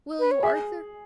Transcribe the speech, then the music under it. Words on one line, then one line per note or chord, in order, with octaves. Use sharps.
Will you, Arthur?
B4
C#5
G#4 E5